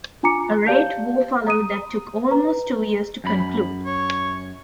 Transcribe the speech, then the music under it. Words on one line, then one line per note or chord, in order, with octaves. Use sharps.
A rate war followed that took almost two years to conclude.
D4 F4 G#5 A#5 D6 C#7
G4 D5 F5 A5 G6
A#5 D#6 D#7
B4 A#5
F#2 B5
C#5